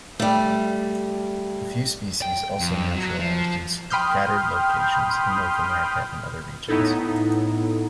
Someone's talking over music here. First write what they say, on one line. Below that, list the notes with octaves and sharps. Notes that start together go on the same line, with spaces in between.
A few species also naturalized in scattered locations in North America and other regions.
G3 A3
G5
F2
F#3
F3
G5 B5 C6 D#6 F6 G6
A2 B3 D#4 E4 A4